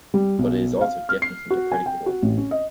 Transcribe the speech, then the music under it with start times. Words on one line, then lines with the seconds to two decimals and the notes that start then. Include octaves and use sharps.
But it is also definitely a predicate over "him".
0.14 G3
0.39 B1
0.81 F5
1.09 F6
1.22 C7
1.50 F#4
1.72 G#5
1.86 G5
2.06 F#4
2.22 A1
2.38 C#4
2.51 D#5